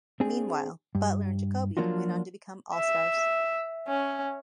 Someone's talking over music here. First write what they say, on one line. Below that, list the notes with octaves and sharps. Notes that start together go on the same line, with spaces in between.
Meanwhile, Butler and Jacoby went on to become All-Stars.
C4 D4 G#4
G2
F3 F#3 A#3 D4 F4 F#4
E5
C#4